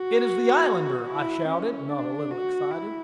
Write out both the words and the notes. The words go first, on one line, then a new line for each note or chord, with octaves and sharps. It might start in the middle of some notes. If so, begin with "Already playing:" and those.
"It is the Islander!" I shouted, not a little excited.
Already playing: F#4
E4
C#4
D4
F#4
E4